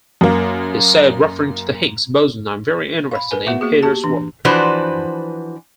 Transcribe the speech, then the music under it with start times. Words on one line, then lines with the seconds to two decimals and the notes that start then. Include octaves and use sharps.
He said, referring to the Higgs boson, I am very interested in Peter's work.
0.21 F#2 A#3
3.11 F5 B5
3.31 A#4 B4 G#5
3.46 B3 F#4 E5
3.61 A#3 F#4 G#4
3.83 F#4 G4 A5
4.04 E3 D4
4.45 E3 F3 D4 F#4 B4 C5